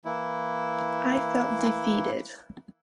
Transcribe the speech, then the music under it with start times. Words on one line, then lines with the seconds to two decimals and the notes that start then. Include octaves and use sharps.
I felt defeated.
0.05 E3 A#3 E4